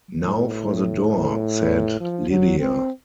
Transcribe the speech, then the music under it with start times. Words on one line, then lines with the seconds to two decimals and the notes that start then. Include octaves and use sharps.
"Now for the door," said Lydia.
0.24 A2
2.01 F3
2.30 F#3
2.60 C4